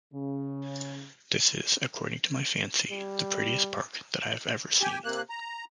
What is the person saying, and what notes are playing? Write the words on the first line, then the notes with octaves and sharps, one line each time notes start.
This is, according to my fancy, the prettiest park that I have ever seen.
C#3
G3
G4 G5 G#5
C3 A#3 F#6
A#5